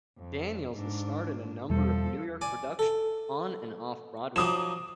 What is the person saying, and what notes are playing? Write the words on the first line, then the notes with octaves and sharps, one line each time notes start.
Daniels has starred in a number of New York productions, on and off Broadway.
F2
G#2 D4
E2 B2 F3 G3 A4
D5 G#5
A4
F3 F#3 D#4 D6 D#6 E7